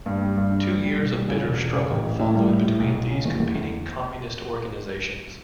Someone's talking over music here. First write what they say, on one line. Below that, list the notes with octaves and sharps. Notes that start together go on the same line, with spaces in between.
Two years of bitter struggle followed between these competing Communist organizations.
G2
G3
G2
D4
G3
G3
B1
G3
C#3
E1
E1
C#3
A1
A1
A2
G3
A2
A2
B1
B1
C#3
E2
E2
E2